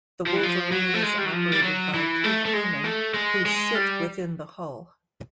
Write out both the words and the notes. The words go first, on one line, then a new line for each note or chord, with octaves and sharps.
The Wolverine is operated by two crewmen who sit within the hull.
F3
E3
F3
F#3
A3
G#3
G3
F#3
F3
G3
F#3
E3
A3
A3
G#3
A3
G#3
G#3
G3